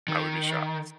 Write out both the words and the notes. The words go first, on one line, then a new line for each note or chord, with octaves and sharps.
I would be shocked.
D#3